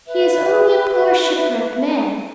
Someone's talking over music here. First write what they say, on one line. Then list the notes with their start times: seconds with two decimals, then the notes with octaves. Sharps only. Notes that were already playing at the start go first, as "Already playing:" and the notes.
He is only a poor shipwrecked man.
0.06 B4 E5